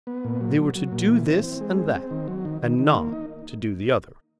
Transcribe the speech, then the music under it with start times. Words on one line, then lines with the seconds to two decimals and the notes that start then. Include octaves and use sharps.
They were to do this and that, and not to do the other.
0.07 B3
0.24 A#2
0.41 F#3
0.58 F#3
0.75 F#3
0.92 A#2
1.09 E3
1.26 C4
1.43 C4
1.61 G#3
1.77 C4
1.95 C4
2.11 D#3
2.28 F#3
2.45 D#3
2.62 D#3
2.79 D#3
2.96 A#3
3.12 D#4